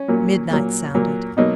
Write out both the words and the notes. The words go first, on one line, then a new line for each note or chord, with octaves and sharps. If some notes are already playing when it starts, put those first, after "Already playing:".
Midnight sounded.
Already playing: C#4
A#2 F#3 A#3
A#2 F#3 A#3
A#2 F#3 A#3
B2 F#3 A#3 D#4